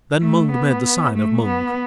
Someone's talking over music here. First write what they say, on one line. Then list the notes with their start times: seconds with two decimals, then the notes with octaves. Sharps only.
Then Mung made the sign of Mung.
0.21 A3
0.52 B3
1.14 A3
1.45 B3